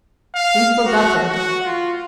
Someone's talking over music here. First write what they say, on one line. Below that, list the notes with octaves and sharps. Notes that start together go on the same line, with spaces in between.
We've forgotten.
F5
F#4
F#4
F4